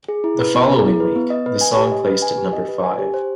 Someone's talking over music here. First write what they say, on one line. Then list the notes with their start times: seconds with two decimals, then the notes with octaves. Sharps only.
The following week, the song placed at number five.
0.08 G#4
0.24 E4
0.39 B4
0.55 B3
0.70 G#4
0.85 E4
1.00 B4
1.16 B3
1.30 D#5
1.46 B4
1.61 G#5
1.77 G4
1.92 D#5
2.07 B4
2.22 G#5
2.38 G4
2.53 D#5
2.68 B4
2.83 G#5
2.99 G4
3.14 C5